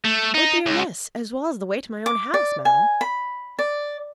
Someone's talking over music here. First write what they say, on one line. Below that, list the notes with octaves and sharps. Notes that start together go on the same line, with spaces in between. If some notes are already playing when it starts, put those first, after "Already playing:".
'Oh dear, yes! as well as the way to my own house, Madam.
A3
D#4
C#2
D6
D5
G#5
B5
D5